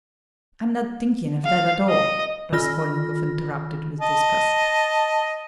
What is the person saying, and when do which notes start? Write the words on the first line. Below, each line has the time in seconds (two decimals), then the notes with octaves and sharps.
"I'm not thinking of that at all," Raskolnikov interrupted with disgust.
1.45 F5
1.89 D#5
2.52 D#3 F4 F6 A#6
4.01 D#5 A5